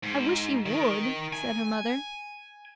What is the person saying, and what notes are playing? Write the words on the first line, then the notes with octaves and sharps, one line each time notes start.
"I wish he would!" said her mother.
G#2
D#3
G#5